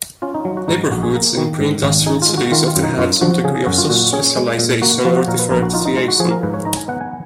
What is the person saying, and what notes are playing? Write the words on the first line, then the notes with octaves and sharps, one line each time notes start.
Neighbourhoods in preindustrial cities often had some degree of social specialisation or differentiation.
C#4 F4
D#4
F#3
F#4
G#2 D#4
A#1 F#4
G#4
A#3
D#3
G#2
G#1
D#4 G#4
F4
G#3
F#4
D#3 F4
F4
F#2
D#4
F#2 F4
F3 F#4
C#3 G#4
G#4
F#2 F#4
F4
A#2 F#4
C#4 G#4
G#3
A#2
A#3 F#4
F3 F#4
F#4
A#2 A#4
B4
A#1 A#4
F#4
D#4 F4
D#4
G#3 F4
F#4
F3 G#4
A#4
G#2 B4
C#5
D#4 A#5
G#5
B3 F#5
G#5